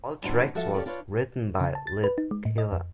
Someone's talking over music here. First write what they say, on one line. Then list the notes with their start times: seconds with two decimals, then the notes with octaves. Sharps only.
All tracks was written by Lit Killah.
0.23 E2 A2 D4 D#4 F#4 C5
0.55 F3 F#4 A4 E5
0.74 C#4 F4 G4 A4 D5
0.86 D4 F4 B4 C#5
1.61 C#3
1.75 A5
1.87 A6
2.04 B4
2.18 D#4
2.31 G#3
2.45 A2
2.58 D#5
2.72 F2